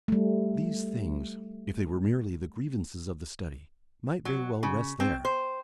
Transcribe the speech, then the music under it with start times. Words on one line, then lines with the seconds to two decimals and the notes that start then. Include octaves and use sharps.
These things, if they were merely the grievances of the study, might very well rest there.
0.08 G3 A3
4.25 F#3
4.63 C#3
5.00 C4
5.25 C5